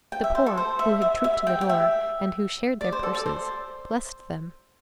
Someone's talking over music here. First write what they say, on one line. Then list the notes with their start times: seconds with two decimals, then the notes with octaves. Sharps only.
The poor, who had trooped to the door, and who shared their purses, blessed them.
0.12 G5
0.24 E5
0.35 C5
0.46 A4
0.58 C5
0.79 E5
1.02 E5
1.24 E5
1.47 G5
1.61 G5
1.69 E5
2.81 D5
2.93 C5
3.03 A4
3.15 D5
3.26 C5